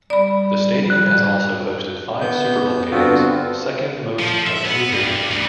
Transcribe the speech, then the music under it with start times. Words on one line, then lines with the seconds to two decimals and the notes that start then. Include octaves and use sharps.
The stadium has also hosted five Super Bowl games, second most of any venue.
0.10 G3 D5 B5
0.90 F#6
2.21 B3 G6
2.91 G2 D3 B3 C4 F4 F#4
4.19 F3
4.47 E5
4.65 B3
4.92 G2
5.31 D2 E3